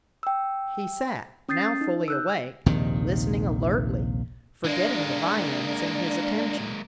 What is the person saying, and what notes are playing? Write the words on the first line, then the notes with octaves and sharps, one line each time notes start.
He sat, now fully awake, listening alertly, forgetting the viands in his attention.
G5 E6
C#4 D#6 G6 A6 C7
D#4
E6 F#6 G6
A#1 D#2 C3 D#3
G#3 A#3 D4